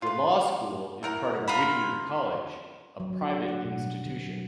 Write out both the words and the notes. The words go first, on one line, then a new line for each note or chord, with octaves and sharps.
The law school is part of Whittier College, a private institution.
F4 B4
E3 A#4 F#5
F4 A#5 B5
F#3
D4
F#5
B2
G3
D3
F#3